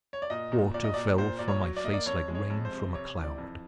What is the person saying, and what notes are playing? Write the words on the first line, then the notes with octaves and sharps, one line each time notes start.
Water fell from my face like rain from a cloud.
C#5
D5
A#2 D#5
A#2
A#2 D5
D#5
A#2 D5
A#2 C5
A#2 D5
C#5
F#3
D5
A#3 D#5
D5
F2 C#5
G#3
C#5
F2
C5
C3
C3 C#5
E3
D5
F2